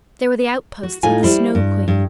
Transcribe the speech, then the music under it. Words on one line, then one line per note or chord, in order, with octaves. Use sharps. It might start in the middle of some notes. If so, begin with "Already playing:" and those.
They were the outposts of the Snow Queen.
F#4
A2 D#4 F4 G#5
G3 E4 C5
G2
G2